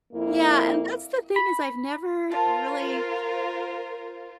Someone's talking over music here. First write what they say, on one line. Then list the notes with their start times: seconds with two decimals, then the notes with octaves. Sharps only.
Yeah, and that's the thing is I've never really
0.14 F2 A#3 E4
1.36 B5
2.32 F4 A#4 C5 A5